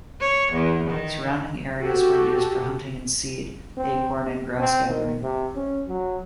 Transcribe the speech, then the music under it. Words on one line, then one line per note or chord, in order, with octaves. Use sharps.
Surrounding areas were used for hunting and seed, acorn, and grass gathering.
C#5
E2
D#3
F#4 G4 A4
C4
C3
C4
D#3
C3
C#4
F#3